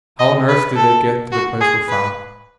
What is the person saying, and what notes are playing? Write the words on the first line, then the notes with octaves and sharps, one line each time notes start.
How on earth did they get to the place where found?
D#5
B4
A4
F#4
G#4
B4